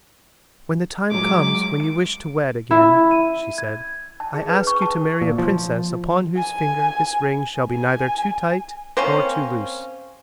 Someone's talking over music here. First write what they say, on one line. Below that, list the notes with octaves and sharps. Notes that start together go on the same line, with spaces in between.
"When the time comes when you wish to wed again," she said, "I ask you to marry a princess upon whose finger this ring shall be neither too tight nor too loose."
F#3 G#3 D6
D7
E4
D#7
G#6
A5
G#4
B4
C#6
A5
A#2
F3
G#5
G#5
A#3 C4 C#4 C5